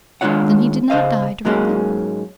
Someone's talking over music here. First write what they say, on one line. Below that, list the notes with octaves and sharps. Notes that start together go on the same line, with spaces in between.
'Then he did not die directly?'
D#3 G#3 D4 F4 C#5 F#5
C#3 C5 D#5 F5
G#2 F#3 G#3 A#3 C#4